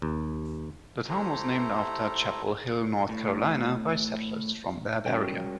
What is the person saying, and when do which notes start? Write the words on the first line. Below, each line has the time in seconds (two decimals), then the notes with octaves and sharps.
The town was named after Chapel Hill, North Carolina by settlers from that area.
0.02 D#2
1.09 A3 E4 G4 A4 C5 A#5
3.09 A2
5.06 G3 G#3 C#4 F#4 A#4 G5